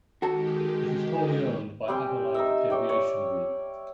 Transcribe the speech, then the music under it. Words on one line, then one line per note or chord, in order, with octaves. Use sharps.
It is wholly owned by Abelag Aviation Group.
D#3 G#3 F#4 G4 A4
G3 C4 G5 G#5
D#4 C5 D#5 E5
C#5 D5 G5
C#5 D5